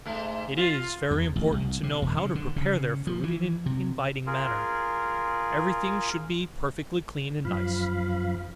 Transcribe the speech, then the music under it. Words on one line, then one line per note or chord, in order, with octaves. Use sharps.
It is very important to know how to prepare their food in an inviting manner; every thing should be perfectly clean and nice.
G#2 A3
F4
E2
A1
C2
C3
E1
C#3
D3
C#3
F3
E3
C3
F4 G#4 A#4
F#2 F3 F5 B5